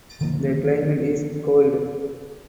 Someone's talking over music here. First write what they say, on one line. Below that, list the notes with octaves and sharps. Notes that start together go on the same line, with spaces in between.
The climate is cold.
D3 D#3 F3 A#3